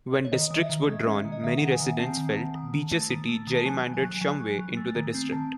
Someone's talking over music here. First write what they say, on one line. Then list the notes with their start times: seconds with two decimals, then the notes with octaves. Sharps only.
When districts were drawn many residents felt Beecher City gerrymandered Shumway into the district.
0.25 C#5
0.32 D#3 D#5
0.51 D#3 D#5
0.60 E5
0.69 D#3
0.88 G#3
1.07 C#4
1.25 D#3
1.32 D#5
1.43 D#3 E5
1.58 D#3 F#5
1.71 G#5
1.80 D#3
1.86 G#5
1.99 C4 A5
2.17 D#3
2.36 D#3
2.55 D#3 A5
2.73 D#3
2.91 A3
3.10 D#3
3.29 A3
3.47 D#3
3.54 A5
3.65 F#3 G#5
3.84 F#3
3.94 G#5
4.02 F#3
4.21 F#3 G#5
4.40 F#3
4.58 F#3
4.77 A3
4.95 D#3
5.14 C4
5.32 D#3 A5